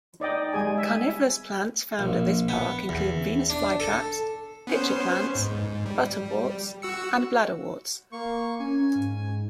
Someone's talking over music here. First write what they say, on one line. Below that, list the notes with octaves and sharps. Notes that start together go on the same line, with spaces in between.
Carnivorous plants found at this park include Venus flytraps, pitcher plants, butterworts and bladderworts.
D#4 D5 D#5 G5
G3 G#3 G#4 G#5
E5 G#5
A#1
B3
E2
D4
A4
B3 C#4 C5
G#2
G3
F#4 E6 C#7
A#3 C#6
C#4 G#5
G#2